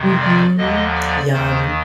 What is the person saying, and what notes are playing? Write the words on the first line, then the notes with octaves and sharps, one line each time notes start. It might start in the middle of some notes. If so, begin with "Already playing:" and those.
Mhm. Yum.
Already playing: F2 C3 D#3
D5
D#2 D3 F3 D#5
D5
D#2 D#3 C5